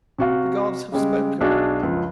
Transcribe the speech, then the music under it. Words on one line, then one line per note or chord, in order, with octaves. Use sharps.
The gods have spoken.
C3 F#4 F5
C#3 G3 G#3
B1 D4 F#4 G#4
C#2 F#2 F3